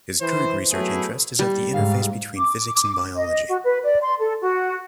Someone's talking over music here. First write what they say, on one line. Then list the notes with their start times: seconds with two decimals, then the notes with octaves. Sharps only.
His current research interest is at the interface between physics and biology.
0.21 E3 C5
0.71 F#3 A3 B3 E4 G#4
1.39 G3
1.74 G#2 F5
2.37 D6
3.15 D#5
3.48 F#4
3.65 B4
3.84 D5
4.02 C6
4.19 A4
4.41 F#4